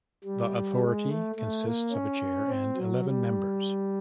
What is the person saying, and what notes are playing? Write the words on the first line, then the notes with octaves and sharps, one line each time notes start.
The Authority consists of a Chair and eleven Members.
G3
G#3
A3
A3
A#3
C#4
C4
F#3
G3